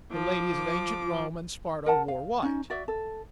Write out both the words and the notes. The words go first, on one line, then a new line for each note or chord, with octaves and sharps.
The ladies of ancient Rome and Sparta wore white.
F3 D6
A#4 F#5 A5
F5
C#4 D#4
F#4 D5 E5
A4